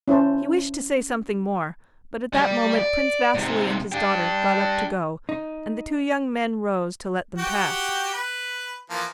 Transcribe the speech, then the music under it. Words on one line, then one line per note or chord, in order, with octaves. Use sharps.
He wished to say something more, but at that moment Prince Vasili and his daughter got up to go and the two young men rose to let them pass.
C#4 E4 C5 A5
G3 G4
D5
G#2 C3
D4 G4
D#4
F#4 G4 G5
B4
E3 F3 A#3